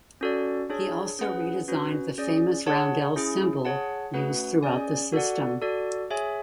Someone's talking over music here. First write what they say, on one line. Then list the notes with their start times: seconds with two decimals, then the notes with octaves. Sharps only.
He also redesigned the famous roundel symbol used throughout the system.
0.21 C#4 F#4 A4 D5
0.70 D4 G#4 C#5
1.19 C#4 G#4 B4 F#5
1.68 C#4 F#4 B4
2.18 C#4 G#4 D5
2.66 G#4 C#5 F#5 A5
3.16 C#4 E4 G#4
3.65 G#4 C#5 F#5 A5
4.14 A3 C#4 F#4 B4 F#5
4.63 C#4 G#4 D5 G#5
5.12 F#4 A4 D5 F#5
5.62 F#4 A4 D5
6.11 G#4 C#5 E5 G#5